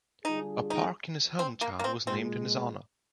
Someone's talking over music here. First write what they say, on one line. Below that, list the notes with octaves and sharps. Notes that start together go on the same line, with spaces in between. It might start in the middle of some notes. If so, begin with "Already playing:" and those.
A park in his home town was named in his honour.
D3 G3 D4 D#4 F4 G#4
D#4
C4
A#3
A#3
C4
A#2 G#3 C4